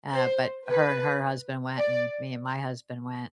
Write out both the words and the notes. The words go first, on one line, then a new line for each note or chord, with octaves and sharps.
uh, but her and her husband went, and me and my husband went,
C5
B4
D5